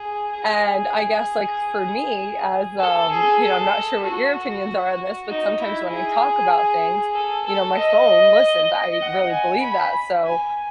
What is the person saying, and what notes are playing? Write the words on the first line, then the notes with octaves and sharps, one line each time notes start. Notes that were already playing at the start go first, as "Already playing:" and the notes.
And I guess, like, for me as, um, you know I'm not sure what your opinions are on this, but sometimes when I talk about things, you know, my phone listens. I really believe that, so,
Already playing: G#4
G#4
A4
G#4
A4
F#4
D#4
E4
G#4
A4
A4
D#5
F#5
G#5
B5
G#5